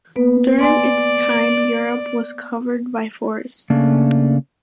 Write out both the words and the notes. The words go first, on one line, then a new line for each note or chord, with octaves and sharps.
During its time Europe was covered by forests.
A#3 B3 B4
D5 G#5 C6
C#3 A3 A#3 C#4 D4